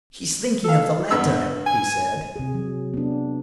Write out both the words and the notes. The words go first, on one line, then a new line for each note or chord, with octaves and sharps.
"She's thinking of the letter," he said.
A4 F5
G2 B3 E6
G#5
C3 G#4
F#3
B3 D4